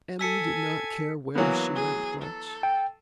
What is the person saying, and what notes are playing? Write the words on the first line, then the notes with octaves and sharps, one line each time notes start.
Emmy did not care where she went much.
A4 G#5 E6 B6 C#7
E3 F#3 A#3 B3 G#5
G#4
A4
G5